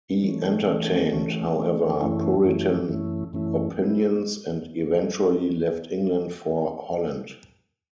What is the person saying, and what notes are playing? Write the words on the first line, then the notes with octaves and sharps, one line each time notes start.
He entertained, however, Puritan opinions and eventually left England for Holland.
E3 A3 C#4
E3 A3 C#4
E3 A3 C#4
E3 A3 C#4
F#2 E3 A3 C#4 E4
F#2 E3 A3 C#4 E4
F#2 E3 A3 C#4 E4
F#2 E3 A3 C#4 E4
G#3 B3 E4